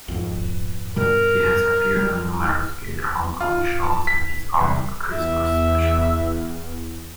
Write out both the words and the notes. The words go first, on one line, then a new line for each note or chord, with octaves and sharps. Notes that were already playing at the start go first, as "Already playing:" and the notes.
He has appeared on numerous "Gaither Homecoming" shows, and his own Christmas special.
G#1 F2
G2 B2 G3 A#4
G3
F4
A5
B6
C2
E2 E5